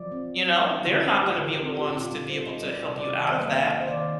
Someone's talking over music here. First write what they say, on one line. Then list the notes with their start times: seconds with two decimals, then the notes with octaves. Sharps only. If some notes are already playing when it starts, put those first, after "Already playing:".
you know? They're not gonna be the ones to be able to help you out of that.
Already playing: F3 D5
0.12 C4
0.37 F3
0.62 D#4
0.87 D3
1.11 A3 C5
1.22 G4
1.29 F4
1.38 D3
1.46 A#4
1.55 G4
1.62 C4 A4
1.79 G4
1.87 A#2
1.96 F4
2.12 G3 G4
2.29 C5
2.38 D#4
2.46 D#5
2.63 G3 D5
2.79 D5
2.88 C3
2.96 D5
3.13 D#3 D#5
3.30 D#5
3.38 A#3
3.46 F5
3.57 F5
3.63 D4 D#5
3.81 C5
3.88 D#3 D5